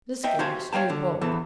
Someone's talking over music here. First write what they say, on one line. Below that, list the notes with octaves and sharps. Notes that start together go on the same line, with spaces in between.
This gave us new hope.
D#5 E5 G5
F#4 G4 C5 F5 G#5 A5
C#5 F5 G5 A5
D3
E2 E3 A4